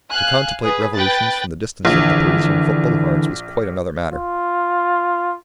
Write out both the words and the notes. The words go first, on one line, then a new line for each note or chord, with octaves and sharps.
To contemplate revolutions from the distance of the Parisian Boulevards was quite another matter.
F5 G#5 F#6
G#4 B4
B4 G5 F#6 A6
A#1 D3 E3
F4